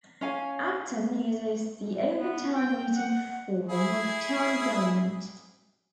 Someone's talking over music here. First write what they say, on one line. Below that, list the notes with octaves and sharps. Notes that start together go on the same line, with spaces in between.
Acton uses the Open Town Meeting form of town government.
C#4 F5 G#5
B3
G5
F#5
E4 G#4